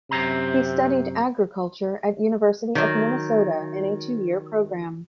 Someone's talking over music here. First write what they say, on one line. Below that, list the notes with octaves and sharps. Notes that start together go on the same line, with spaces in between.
He studied agriculture at University of Minnesota in a two-year program.
F#2 C3 C4 A#5
D#3 F#3